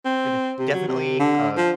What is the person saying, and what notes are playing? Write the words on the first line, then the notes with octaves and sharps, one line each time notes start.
eh, d definitely, uh,
C4
C3
F#3
C3
D3
F3